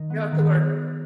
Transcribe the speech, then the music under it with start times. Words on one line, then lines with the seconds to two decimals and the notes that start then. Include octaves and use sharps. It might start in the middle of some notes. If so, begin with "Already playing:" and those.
You have to learn
Already playing: D#3 D#5
0.10 B3
0.32 D#3